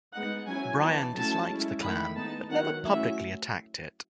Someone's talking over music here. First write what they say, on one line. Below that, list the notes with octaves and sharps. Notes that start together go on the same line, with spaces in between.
Bryan disliked the Klan but never publicly attacked it.
G#3 B3 D#4 F#5
F#3 C#4 E4 G#5
E3 B3 D#4 A5
F#3 A3 C#4 E4 A5
G#3 C#4 E4
D#3 A3 E4 B5
G#3 B3 D#4 A5
D#3 F#3 B3 E4 F#5
F#3 A3 C#4 E4 E5